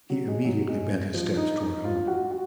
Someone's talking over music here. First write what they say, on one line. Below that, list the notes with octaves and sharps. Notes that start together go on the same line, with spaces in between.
He immediately bent his steps toward home.
F#3
G#3
F#3
G#3
F3
D#4
D#4
F4
F#4
F#4